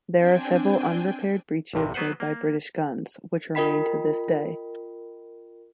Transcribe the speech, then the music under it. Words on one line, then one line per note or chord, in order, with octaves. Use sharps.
There are several unrepaired breaches made by British guns, which remain to this day.
C4 D4 G5 G#5
A1 G2 C3
F#3 B3 B4 C5 F#5
A#3
F4 A#4 D#5 G5 B5 B6